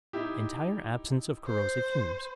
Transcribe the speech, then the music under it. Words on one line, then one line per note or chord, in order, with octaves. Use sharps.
Entire absence of corrosive fumes.
D#4 E4 G4
C5